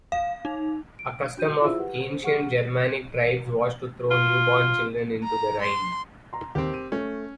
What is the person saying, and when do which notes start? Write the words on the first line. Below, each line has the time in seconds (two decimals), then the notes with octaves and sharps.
A custom of ancient Germanic tribes was to throw newborn children into the Rhine.
0.12 F5
0.45 D#4
0.99 D7
1.37 D4 F#4 G6 D#7
1.61 E4 F4 G#4 C5 E5 E6
1.78 G4 B4 F#5
2.06 C5
2.22 G4 G#4 F#5 C#6 F6
4.11 F4
5.24 A#5
5.63 C6
6.33 A#5 C6
6.55 D#2 C4 G4
6.74 D#7
6.92 A3 C#4